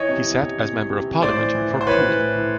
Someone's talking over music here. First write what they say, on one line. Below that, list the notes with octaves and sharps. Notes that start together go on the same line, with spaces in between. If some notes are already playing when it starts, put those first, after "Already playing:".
He sat as Member of Parliament for Poole.
Already playing: E3 C#5 D#5
C3
E3
C3
E3
C3
C3
E3
A2 C5 D5
E3
E3
E3
C5
E3 B4 C#5
E3
A2
E3